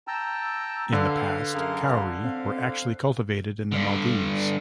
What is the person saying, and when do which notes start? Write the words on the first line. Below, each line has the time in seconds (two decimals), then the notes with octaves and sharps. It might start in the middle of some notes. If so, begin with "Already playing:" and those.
In the past, cowry were actually cultivated in the Maldives.
0.07 G5 A5 A#5 E6
0.93 D3 B4 F5
1.54 F#2 G#4 A#4 F5
2.24 C4 F5
3.72 G2 D3